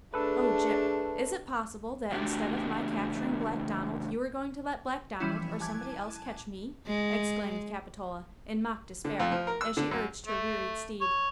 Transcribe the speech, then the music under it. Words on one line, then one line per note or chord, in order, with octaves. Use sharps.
"Oh, Gyp, is it possible that, instead of my capturing Black Donald, you are going to let Black Donald or somebody else catch me?" exclaimed Capitola, in mock despair, as she urged her wearied steed.
A3 D4 G#4 A4 B4
E2 C#3 A3 D4 F#4 G4
E3 F3 G3 C#4 E4
G#5 A5 D6 F#6 G#6
G#3
D3
F2
F3
A#4
E6
D3
F#2
A3
C#5